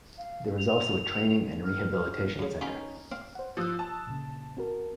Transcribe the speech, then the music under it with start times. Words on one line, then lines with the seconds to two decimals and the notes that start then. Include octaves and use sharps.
There is also a training and rehabilitation center.
0.18 F5
0.59 F7
1.64 F6
2.39 F#2 C#3
2.61 C#4 D#4 F4 G5 B5
3.12 C4 F5
3.35 C5 F#5
3.57 F3 D#6 E6 F#6
3.79 A5
4.07 A#2 C#3
4.57 C4 F#4 A#4